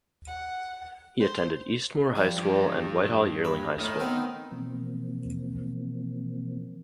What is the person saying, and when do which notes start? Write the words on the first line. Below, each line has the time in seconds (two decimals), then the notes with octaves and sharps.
He attended Eastmoor High School and Whitehall-Yearling High School.
0.27 F#5
1.20 C5
2.15 F3 G3
2.38 G2 G4
3.45 B4
3.79 A2 D#3 D#4
3.99 B3 C4 D#4
4.51 B2 E3 F3 A#3 C4